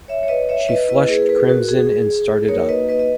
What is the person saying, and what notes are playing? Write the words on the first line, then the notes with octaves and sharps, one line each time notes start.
She flushed crimson and started up.
C#5 E5
C#5
B4 D#5
C#5 E5
B4 D#5
A#3 E4 B4 D#5
G#4 B4
A#4
G#4 B4
F#4 A#4
F#4
G#4
A#3 D#4 F#4 A#4 C#5
B4 D#5
B4 D#5
D#5